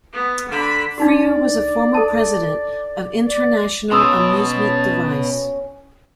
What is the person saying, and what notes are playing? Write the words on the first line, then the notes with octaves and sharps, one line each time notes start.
Feerer was a former president of International Amusement Device.
B3
D3 B5
D4 D#4 F#4 D5
A4 A5
D5
B2 C#4 A5 C6 D#6 E6